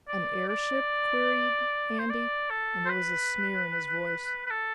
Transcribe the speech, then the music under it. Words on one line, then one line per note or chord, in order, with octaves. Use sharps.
"An airship?" queried Andy, and there was a sneer in his voice.
D5
D5
C5
D5
A4
C5
B4
B4
A4